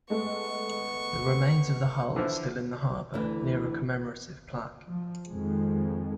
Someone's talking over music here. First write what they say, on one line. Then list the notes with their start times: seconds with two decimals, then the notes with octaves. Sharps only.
The remains of the hull are still in the harbor, near a commemorative plaque.
0.10 G#3 A3 B3 C#6
2.16 D3 E3 F3
3.14 D2 D3 E3
4.88 F3
5.28 F2 D#3 G#3